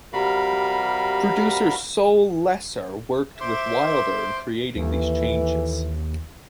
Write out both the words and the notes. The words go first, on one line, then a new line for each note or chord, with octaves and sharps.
Producer Sol Lesser worked with Wilder in creating these changes.
C3 G3 F#4 A#4 F5 B5
C5 E5 C6 D6
D#2 E3 A4